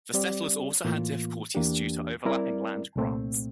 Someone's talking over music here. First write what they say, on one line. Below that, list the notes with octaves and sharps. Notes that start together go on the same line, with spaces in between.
The settlers also had difficulties due to overlapping land grants.
G3 C4 G4 D5
A2 E3 A#3 F4
E2 E3 A#3 D4 G4
G3 C4 E4 A#4 D5
C2 A#2 A3 C4